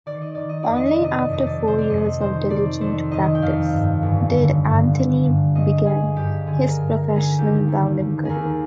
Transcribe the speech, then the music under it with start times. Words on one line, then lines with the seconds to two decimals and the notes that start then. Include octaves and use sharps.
Only after four years of diligent practice did Anthony began his professional bowling career.
0.06 D#3 D5
0.21 D#5
0.35 D#3 D5
0.49 D#5
0.63 F2 D5
0.76 D#5
0.91 D5
0.99 C3
1.04 D#5
1.18 D5
1.29 F2 D#5
1.47 D5
1.59 C3
1.68 C5
1.78 D5
1.90 F2 D#5
2.20 D#3 C5
2.50 D#3 D5
2.81 F2 C5
3.11 D#3 D#5
3.35 G5
3.42 F2 F5
3.73 G2
4.03 G1
4.34 D3
4.64 G2
4.94 D3
5.25 G2
5.55 G1 D#5
5.85 G1 G#4
6.16 G2 G4
6.46 D3 G#4
6.69 A#4
6.77 G2
6.93 A#4
7.08 D3
7.16 G#4
7.38 D#2 G4
7.68 D#2
7.99 D#2
8.25 D#2 G#4 A#4